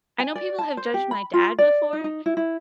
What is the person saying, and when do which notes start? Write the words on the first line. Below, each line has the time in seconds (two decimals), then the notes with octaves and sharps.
I know people have judged my dad before
0.20 G#5
0.35 D5
0.59 A5
0.77 C5
0.94 G4
1.11 B5
1.34 F4
1.58 D5
1.93 D#4
2.04 D#4
2.26 E4
2.37 E4